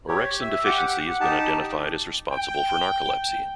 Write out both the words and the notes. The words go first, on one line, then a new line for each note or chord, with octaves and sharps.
Orexin deficiency has been identified as responsible for narcolepsy.
G4 C#5
E5
G4 F#5 D6
F#5
D#4 G4 A5
G5